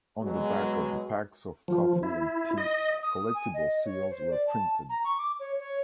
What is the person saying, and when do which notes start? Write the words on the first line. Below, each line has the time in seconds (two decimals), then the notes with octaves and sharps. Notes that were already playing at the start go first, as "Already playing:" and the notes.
On the back of the packs of coffee and tea, collectible seals were printed.
0.22 B2 F#3 G#3
1.68 F3
2.03 E4
2.58 D#5
3.03 D#6
3.34 G#5
3.54 D#5
3.84 C#5
4.10 C5
4.30 D5
4.47 A5
4.89 A#5
5.04 C#6
5.18 D6
5.40 C#5
5.60 C#5